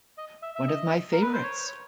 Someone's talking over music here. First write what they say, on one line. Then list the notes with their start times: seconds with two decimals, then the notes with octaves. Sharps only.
One of my favorites.
0.17 D#5
0.42 E5
0.55 E5
0.68 D#5
1.12 A#4
1.22 B4
1.33 C5
1.43 C#5